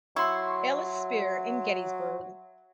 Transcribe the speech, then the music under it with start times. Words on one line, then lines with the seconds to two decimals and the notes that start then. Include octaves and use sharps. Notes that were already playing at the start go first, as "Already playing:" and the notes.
Ellis Spear in Gettysburg.
0.16 F#3 E4 C6 C#6